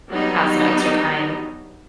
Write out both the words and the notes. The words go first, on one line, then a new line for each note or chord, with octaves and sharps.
have some extra time,
F#3 G3 B3 D4 D#4